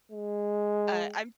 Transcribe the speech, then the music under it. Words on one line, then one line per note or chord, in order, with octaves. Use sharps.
uh, I'm
G#3